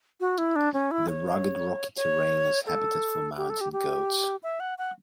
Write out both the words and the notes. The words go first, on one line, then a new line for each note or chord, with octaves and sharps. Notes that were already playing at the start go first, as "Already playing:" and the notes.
The rugged rocky terrain is habitat for mountain goats.
F#4
E4
D4
C#4
E4
C#5
C#5
A4
G4
A4
G4
G4
E5
F#5
F#5